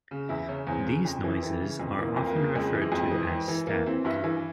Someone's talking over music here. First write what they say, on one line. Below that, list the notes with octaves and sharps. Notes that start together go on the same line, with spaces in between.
These noises are often referred to as static.
C#3
E2 E4
C#3 C#4
E2 C4
C#3
F2
E3
E3
C#3
F2
E3 A#3
F2
A#3
C#3
F2 G#3
E3
G#3
F2
E3
E3
E3
E3 A#3
E3 C4
G2 E4
E3